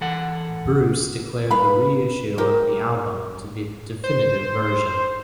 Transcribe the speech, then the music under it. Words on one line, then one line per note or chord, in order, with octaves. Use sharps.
Bruce declared the reissue of the album to be the "definitive" version.
E3 A4 F#5
B4 F5 B5
G4 A#4
C5